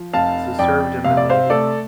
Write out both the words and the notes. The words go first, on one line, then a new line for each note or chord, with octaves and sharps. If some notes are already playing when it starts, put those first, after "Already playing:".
She served in the Navy.
Already playing: F3
F1 F5 A5
F2 D5 G5
C3 F5
D5
C5 F5
A3 A4 D5